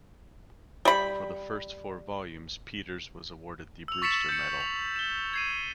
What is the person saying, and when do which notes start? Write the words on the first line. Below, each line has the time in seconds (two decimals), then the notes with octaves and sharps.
For the first four volumes Peters was awarded the Brewster Medal.
0.85 G3 B5
3.88 E6 F7
4.02 C#6 A6 B6 C#7 E7 F#7
4.29 G6 C#7
4.60 F7
4.96 E7 G7
5.34 G#6 C7 D#7